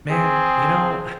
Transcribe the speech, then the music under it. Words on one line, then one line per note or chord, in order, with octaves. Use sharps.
Man, you know,
C4 G#4